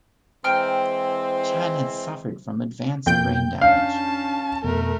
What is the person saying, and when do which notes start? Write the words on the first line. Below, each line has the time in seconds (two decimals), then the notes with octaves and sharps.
Chan had suffered from advanced brain damage.
0.44 E3 G#3 C4 G5 A#5 F6
3.06 F2 B2 A#3 G5 G6
3.61 C#4 D4 F5 A5
4.64 F2 B2 A3 B3 A#4